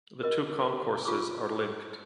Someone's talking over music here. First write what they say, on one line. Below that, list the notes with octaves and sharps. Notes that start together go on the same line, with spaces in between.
The two concourses are linked.
A#4 D#5
F4 C#6 D6